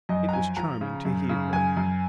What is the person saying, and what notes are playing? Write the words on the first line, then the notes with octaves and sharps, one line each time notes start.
It was charming to hear her.
F#2 D#5
A#5
F3 G#5
F3 A#5
C#3
F#2
C#3
F#2 G#5
F#2